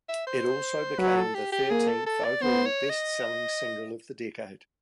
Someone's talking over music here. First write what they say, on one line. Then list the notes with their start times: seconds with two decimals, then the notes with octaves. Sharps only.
It also became the thirteenth overall best-selling single of the decade.
0.09 E5
0.27 C5
0.98 F#3 B4
1.16 A4
1.35 G4
1.53 G4
1.70 A#3 G#4
1.88 A4
2.06 A4
2.24 D5
2.42 B3 C5
2.66 C#5
2.90 D#5